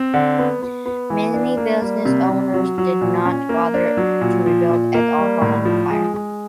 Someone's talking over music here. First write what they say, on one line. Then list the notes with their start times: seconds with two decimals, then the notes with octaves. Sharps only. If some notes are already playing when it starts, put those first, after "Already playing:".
Many business owners did not bother to rebuild at all following the fire.
Already playing: C4
0.14 D3
0.38 B3
0.62 B3
0.86 B3
1.10 E3
1.34 D4
1.57 A#3
1.82 G3
2.05 C3
2.30 C3
2.54 F#3
2.78 F#3
3.01 A#2
3.25 C#4
3.49 A#3
3.74 D4
3.97 F#3
4.21 A#2
4.46 F3
4.69 A#2
4.94 A#3
5.18 G3
5.42 A2
5.65 F3
5.90 G#3
6.14 G#3